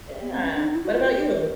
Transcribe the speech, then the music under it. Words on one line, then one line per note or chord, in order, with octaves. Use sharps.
Yeah, what about you?
B3
C4
C#4
D4
D#4
E4
F#4
F4
F#4
G4
A#4